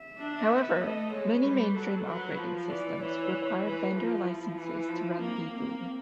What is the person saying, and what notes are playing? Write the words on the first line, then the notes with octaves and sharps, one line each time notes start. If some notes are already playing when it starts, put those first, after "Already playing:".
However, many mainframe operating systems require vendor licenses to run legally.
Already playing: E5
D4
B3
A3 D#5
G#3 C#5
G3 B4
F#3 A4
F#3 B4
F3
E3 D5
E3 C#5
E3 B4
F3 F4
E4
E3
F3
A#3 C4
A#3 C4